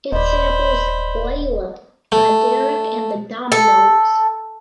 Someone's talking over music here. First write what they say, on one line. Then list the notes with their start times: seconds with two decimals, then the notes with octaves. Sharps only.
It samples "Layla" by Derek and the Dominos.
0.12 D#1 C5 D5 D#5 B5
2.12 A3
3.52 A4